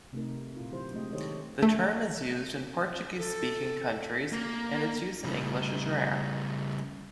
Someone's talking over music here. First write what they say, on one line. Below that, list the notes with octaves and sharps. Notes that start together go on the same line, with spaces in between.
The term is used in Portuguese-speaking countries, and its use in English is rare.
C3 A3 D#4 A#4
A#2 E4 F4
D3 F#3 E4 G4 C5
G#3 A3 C4 E4 G4 D#5
D#3 G4 A4 C5 C#5 D#5
A3
A4
A#3
C#3 G3